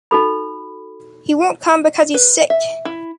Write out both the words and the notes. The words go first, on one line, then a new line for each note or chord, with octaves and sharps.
He won’t come because he’s sick.
D#4 F#4 A4 B5
B4
E5
E4